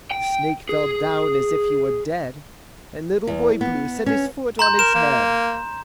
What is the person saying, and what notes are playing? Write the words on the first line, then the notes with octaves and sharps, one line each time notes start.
The snake fell down as if he were dead, And Little Boy Blue set his foot on his head.
G5
G#4
E2
B3
C#4
A#5 C6 G6
A#4 E7
A#3